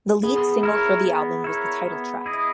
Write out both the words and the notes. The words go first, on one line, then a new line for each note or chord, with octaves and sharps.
The lead single for the album was the title track.
B3 G#4
E4 A#4 C#5
B3
E4 A#4 C#5
B3
E4 G#4 D#5